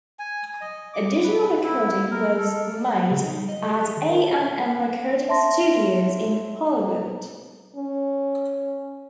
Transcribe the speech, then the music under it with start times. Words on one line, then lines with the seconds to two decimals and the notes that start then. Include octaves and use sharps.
Additional recording was made at A and M Recording Studios in Hollywood.
0.19 G#5
0.61 D#5
0.94 D6
1.23 B4
1.63 E4
2.11 A#4
2.38 A4
3.11 C#3
3.23 D#4
3.36 G3
3.49 D#5
3.69 G4
3.84 G#4
3.97 D#3
4.10 A#4
4.24 A5
5.28 E5 A5 C6 A#6
7.76 C#4